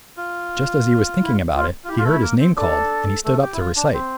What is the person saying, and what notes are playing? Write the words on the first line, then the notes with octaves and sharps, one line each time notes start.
Just as he was thinking about it, he heard his name called, and he stood up to recite.
F4
E4
F4
F4
E4 G4
F4
A3 E4 A4
A#3 A#4
C4 C5
D4 A4 D5
A3 A4
G4
E4
F4
D4
C4